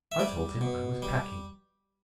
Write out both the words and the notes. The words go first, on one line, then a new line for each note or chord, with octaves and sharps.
I told him I was packing.
E5
G3 D5
B2
G3